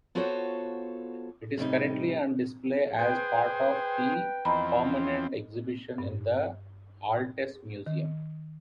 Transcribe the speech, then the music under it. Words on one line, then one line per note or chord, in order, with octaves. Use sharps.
It is currently on display as part of the permanent exhibition in the Altes Museum.
B3 F4 F#4 A4 C5 C#5
A2 C3 G3 D#4
G#4 B4 C5 G5
E2 F3 C4 D#5 A#5 B5
G2
D#3